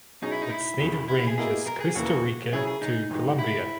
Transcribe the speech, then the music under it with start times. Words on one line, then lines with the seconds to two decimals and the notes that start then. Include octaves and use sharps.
Its native range is Costa Rica to Colombia.
0.22 B2 F#3 C#4 D#4 G#4
0.31 E4
0.42 D#4
0.50 E4
0.79 E1 E2 C#3
1.08 E4
1.19 E4
1.27 G#4
1.38 B2 A#3 E4 G#4 A#4 D#5
1.67 A#4
1.80 G#4
1.95 E1 D#2 C#3 E3 A#3 F#4
2.53 C#3 F#3 C#4 E4 G#4
2.67 G#4
2.82 D#4
3.10 G#1 G#2 E3
3.39 E4